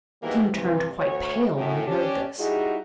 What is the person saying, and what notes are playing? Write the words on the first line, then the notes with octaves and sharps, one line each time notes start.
The king turned quite pale when he heard this.
G#2 B2 D#3 E3 G3 A#3
G2 C3 E3
D2 C#5
F#2 A2
C#4 D4 G4
G3 D#4 E4 F#4 G#4